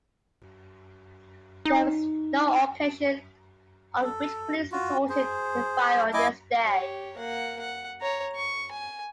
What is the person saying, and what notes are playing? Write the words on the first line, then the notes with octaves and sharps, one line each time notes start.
There was no occasion on which police resorted to firing on this day.
D#4
A4
F4 F#4
G#4 C5
E4 D#5 G#5 D6
G4 C#5
A#3 F#5
F#5
C#5 A#5
C#6
G#5